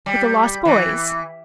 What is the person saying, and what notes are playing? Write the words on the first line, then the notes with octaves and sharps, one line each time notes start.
"With the lost boys."
G3
E3